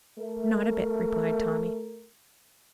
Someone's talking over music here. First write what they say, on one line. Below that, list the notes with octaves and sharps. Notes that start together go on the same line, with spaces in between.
"Not a bit," replied Tommy.
A3 A#4